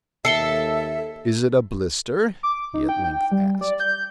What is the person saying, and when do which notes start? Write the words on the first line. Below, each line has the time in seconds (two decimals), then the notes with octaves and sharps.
"Is it a blister?" he at length asked.
0.25 D#2 A4 E5 C7 C#7 G7
2.43 D6
2.74 D#4
2.89 G5
3.04 G5
3.32 G3
3.61 D5
3.80 G6